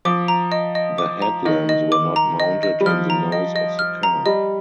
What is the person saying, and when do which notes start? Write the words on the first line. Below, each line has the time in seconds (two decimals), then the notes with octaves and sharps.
The headlamps were not mounted in the nose of the car.
0.05 F3 D6
0.28 A#5
0.52 D#5
0.75 D#5
0.98 D6
1.22 A#5
1.45 D#3 D#5
1.69 D#5
1.92 D6
2.16 A#5
2.40 D#5
2.63 D#5
2.81 G3
2.86 F3 F6
3.10 A#5
3.32 D#5
3.56 D#5
3.79 F6
4.03 A#5
4.26 G3 D#5